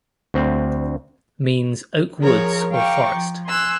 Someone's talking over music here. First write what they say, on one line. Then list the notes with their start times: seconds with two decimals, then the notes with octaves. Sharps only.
Means Oak woods or forest.
0.34 D2 C4
2.20 F3 G#4 A#4 C#5
2.73 F5 G5 A#5 C#6 D6
3.14 F3
3.47 G#5 C6 E6 F#6